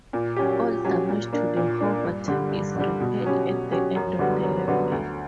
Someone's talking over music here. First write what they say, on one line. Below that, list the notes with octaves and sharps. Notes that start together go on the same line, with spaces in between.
All damage to the hovertank is repaired at the end of the level.
A#2
F#3 C#4 G4
A#2
F#3 C#4 G4
A#2
A#3 D4
A#2
A#3 D4
G2
D3 G3
G2
D3 G3
B2
F#3 C#4 G4
B2
F#3 C#4 G4
F#2
D3 G3 B3 F#4
F#2
D3 G3 B3 F#4
D2